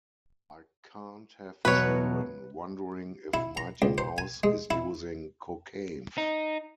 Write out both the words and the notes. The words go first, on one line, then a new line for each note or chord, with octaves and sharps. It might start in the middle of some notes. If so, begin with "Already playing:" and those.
I can't have children wondering if Mighty Mouse is using cocaine.
E2 B2 F#3 B4 C#5
E4
A#5
C#2
C5
G#5
G#3
E4
D#4